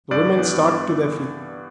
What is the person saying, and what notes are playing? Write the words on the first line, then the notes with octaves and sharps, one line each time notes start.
The women started to their feet.
G2 D5
E3 B3
G2